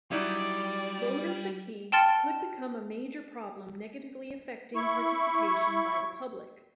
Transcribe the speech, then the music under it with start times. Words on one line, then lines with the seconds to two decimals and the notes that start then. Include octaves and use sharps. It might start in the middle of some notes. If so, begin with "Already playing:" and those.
Voter fatigue could become a major problem negatively affecting participation by the public.
0.11 F#3 G3 D#4 E4 D5
1.92 G5 A5 C6 F6 A6 C#7
4.75 E4 C#6